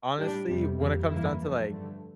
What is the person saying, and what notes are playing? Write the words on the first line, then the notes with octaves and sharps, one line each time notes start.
honestly, when it comes down to, like,
A2 G3 D4 G4
F2 C3 G3
F2 E3 G3 A#3
G2 E3 A#3 E4
G2 F3 A3
G2 D3 A3